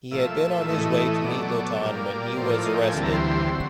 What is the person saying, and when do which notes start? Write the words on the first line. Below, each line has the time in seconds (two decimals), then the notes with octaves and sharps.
He had been on his way to meet Lotan when he was arrested.
0.11 A#2 F3 A3 E5
0.68 A2 E3 A3 D#5
1.24 B2 F#3 A3 D5
1.81 A#2 G3 A#3
2.37 A2 F3 A#3 C5
2.51 D5
2.66 D#5
2.75 G5
2.84 G#5
2.94 D2 C3 E3 G3 A5
3.03 A#5
3.13 C6
3.51 D3 F#3